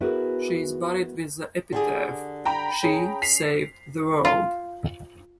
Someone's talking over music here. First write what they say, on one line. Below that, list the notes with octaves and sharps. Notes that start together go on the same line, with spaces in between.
She is buried with the epitaph, She saved the world.
B3 E4 F#4 G#4 A#4 B4
D3 G4 G#4
G5 A#5 B5
C#4 G#4
B6 C7 F7
F4